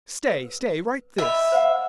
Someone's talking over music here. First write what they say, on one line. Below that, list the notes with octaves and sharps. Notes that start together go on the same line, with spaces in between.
Stay, stay, write this.
B4
D#5 E5 B5
C5 F5 F#5